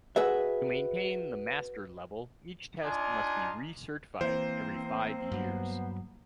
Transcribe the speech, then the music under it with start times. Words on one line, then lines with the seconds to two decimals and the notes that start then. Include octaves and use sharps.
To maintain the Master Level, each test must be recertified every five years.
0.16 F#4 G#4 B4 E5
2.83 D4 D#4 F4 G#5
4.21 E3 A#3 C4 C5
5.32 G2 F#3 B3